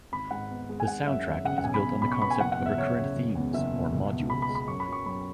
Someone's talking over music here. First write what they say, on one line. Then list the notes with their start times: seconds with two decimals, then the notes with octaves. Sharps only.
The soundtrack is built on the concept of recurrent themes or "modules".
0.12 G#1 B5
0.31 G#2 F#5
0.50 B3
0.69 G#3
0.80 G#5
0.88 G#1 F#5
1.07 F#2 E5
1.26 G#1
1.45 C#3 F#5
1.58 F#5
1.64 B1 G#5
1.74 B5
1.84 B2
2.02 B1 B5
2.12 C#6
2.21 B3 B5
2.30 G#5
2.40 F#1 F#5
2.52 F#5
2.59 E2
2.66 E5
2.77 F#1 C#5
2.97 C#3
3.16 F#1
3.35 E2
3.54 F#1 E5
3.73 B2
3.92 C#2
4.11 B2
4.30 C#2 B5
4.42 B5
4.49 G#3
4.55 B5
4.68 F#2 C#6
4.80 B5
4.87 F#3
4.92 C#6
5.06 F#2 B5